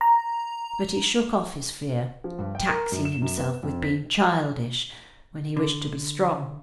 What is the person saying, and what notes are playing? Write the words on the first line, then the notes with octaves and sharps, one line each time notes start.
But he shook off his fear, taxing himself with being childish, when he wished to be strong.
A#5
F3
G2
G5
A#4
F#2
E7
F#2
B3
F2
B6
D3